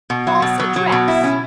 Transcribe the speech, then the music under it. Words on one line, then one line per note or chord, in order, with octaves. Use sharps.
"False address!"
B2
F#3
B2
F#3
F#3
B2
E4
C#4